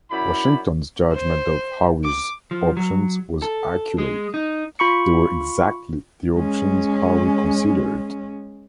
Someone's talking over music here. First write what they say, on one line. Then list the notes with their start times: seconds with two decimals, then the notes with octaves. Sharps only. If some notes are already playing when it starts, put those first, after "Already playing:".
Washington's judgment of Howe's options was accurate; they were exactly the options Howe considered.
0.11 F#2 E4 D5 B5
1.13 C5
2.04 D6
2.51 F3
2.77 F#3
3.42 A4
3.98 G#3
4.34 D#4
4.79 F4 B5 C#6 C#7
6.35 G#3 C#4